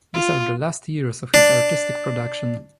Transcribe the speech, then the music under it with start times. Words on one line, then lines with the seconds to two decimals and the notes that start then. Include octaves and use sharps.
These are the last years of his artistic production.
0.14 F4
1.34 D4